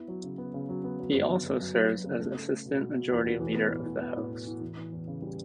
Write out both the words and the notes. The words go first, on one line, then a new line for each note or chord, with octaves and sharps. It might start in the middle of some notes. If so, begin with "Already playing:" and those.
He also serves as Assistant Majority Leader of the House.
Already playing: B3 E4
F#3
C#3
B3
C#3
F#3
B3
F#3
G1
F#2
F#3
F#2
F#2
F#3
C#3
A3
A3
A3
B2
B2
B2
E2
B2
E3
B3
A2
A2
B3
A2
B3
A2
E3
E3
E2
C#3
G3